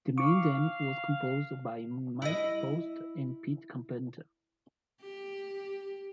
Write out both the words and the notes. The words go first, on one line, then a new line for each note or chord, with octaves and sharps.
The main theme was composed by Mike Post and Pete Carpenter.
F5 C#6 D6
E4 D#5
G4